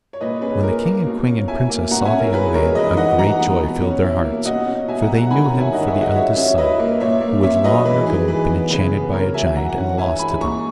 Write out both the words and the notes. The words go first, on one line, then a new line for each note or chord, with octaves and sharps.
And when the king and queen and princess saw the young man a great joy filled their hearts, for they knew him for the eldest son, who had long ago been enchanted by a giant and lost to them.
C#5
A#2 B4 D#5
C#4 G#4 B4
A#2 A#4
A#3
B2
C#4
E4 E5 G#5
A#3
B2 F#5 A#5
E5 G#5
C#4
A#4
E4 G#4 B4
G#3 A#4 C#5
E3 B4 D#5
D#4 D#5 F#5
E3 F#5 A#5
B3
B2
C#4
E4
A#3
B2 D#5 F#5
C#4
B2 E5 G#5
F#5 A#5
F#3
F#5 A#5
D#3 G#5 B5
F#5 A#5
C#4
E5 G#5
D#3 D#5 F#5
C#5 E5
G#3
D#5 F#5
F#3 C#5 E5
C#4 C#5 E5
E4 B4 D#5
A#3
A#2 C#5 E5
A#3
C#4 C#5 E5
F#3 B4 D#5
E3 G#4 B4
D#4 G#4
E3 G#4 B4
B3
C#3 G#4 B4
B3
C#3 A#4 C#5
F#3 E5 G#5
E3 F#5 A#5
F#5 A#5
C#4
E3 E5 G#5
G#3 G#5 B5
A#2 A#5 C#6